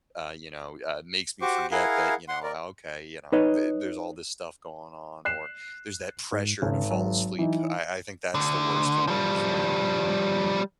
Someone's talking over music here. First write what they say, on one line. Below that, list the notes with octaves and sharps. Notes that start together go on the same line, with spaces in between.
uh, you know, uh, makes me forget that, you know, okay, you know, th there's all this stuff going on or there's that pressure to fall asleep. I I think that's the worst one is when
F#4 G4 C5 C#6 D6
E4 G#4 A#4 F5 F#5
F#5 C6
A#4 D5
D#4 B4 C#5 D#5
F#6 C7 E7
G#2
G#1 C#3
F#3
E3 D#4
D2 D3
F3 G3